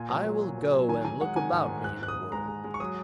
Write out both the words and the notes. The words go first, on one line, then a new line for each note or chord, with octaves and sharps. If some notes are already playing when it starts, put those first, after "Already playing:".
I will go and look about me in the world.'
Already playing: A#2 G#5
F#3
A#2
F#3
F#3
F#3
D#3 G#5
D#3 G#5
G#3 F#5
D#3 G#5
G#2
G#2
G#2 F#6
G#2 F#6
D#6
G#2
G#3 A#5
G#3
G#3
C#6
F#3 D#6